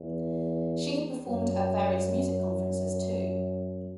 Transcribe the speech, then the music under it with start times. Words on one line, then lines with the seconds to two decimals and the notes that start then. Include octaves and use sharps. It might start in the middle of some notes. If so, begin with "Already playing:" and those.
She had performed at various music conferences too.
Already playing: E2
1.27 F#2